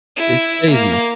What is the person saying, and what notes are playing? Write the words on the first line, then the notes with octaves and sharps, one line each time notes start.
It's crazy.
E4
A#3